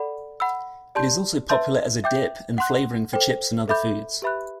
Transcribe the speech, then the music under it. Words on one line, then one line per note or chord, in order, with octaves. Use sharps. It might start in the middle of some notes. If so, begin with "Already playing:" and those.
It is also popular as a dip and flavoring for chips and other foods.
Already playing: A4 D5 F#5 B5
F#5 B5 E6
G4 D5 A5 C6 G6
B4 E5 A5 C6 G6
E5 G5 D6 G6
F#5 C6 F#6
A4 C5 G5
A4 E5 B5 D6 G6
G4 B4 E5 B5 F#6